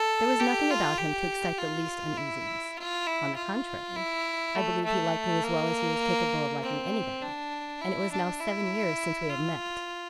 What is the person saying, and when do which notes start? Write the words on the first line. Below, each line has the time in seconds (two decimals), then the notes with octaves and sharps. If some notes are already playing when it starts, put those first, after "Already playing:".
There was nothing about him to excite the least uneasiness; on the contrary, I believe he liked me as well as he was capable of liking anybody, and it was now seven years since we had met.
Already playing: A4
0.40 G4
0.70 F4
0.98 G4
1.58 F4
2.17 E4
2.77 F4
3.07 E4
3.36 F4
3.95 E4
4.55 A3
4.85 A3
5.43 A#3
6.63 C4
7.22 D4
7.82 E4
8.11 D4
8.40 E4
9.30 F4